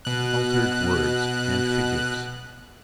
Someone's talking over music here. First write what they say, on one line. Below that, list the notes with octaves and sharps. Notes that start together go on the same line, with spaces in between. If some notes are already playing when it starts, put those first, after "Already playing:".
Altered Words and Figures.
B2 F#6